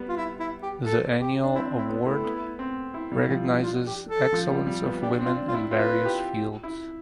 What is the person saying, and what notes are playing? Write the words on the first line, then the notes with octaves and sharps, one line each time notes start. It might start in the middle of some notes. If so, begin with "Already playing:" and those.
The annual award recognizes excellence of women in various fields.
Already playing: G3 B3
F4
E4
E4
G4
A4
G4
D4
C4 E4
C4
E4
B3
E4
A3
B3
C4
E4
G3
F3
D4
F4
G4
A4
F3
G3
G3
B3
D4 G4
C4
F4
D4
F4
E4
F4 B4
G4
E4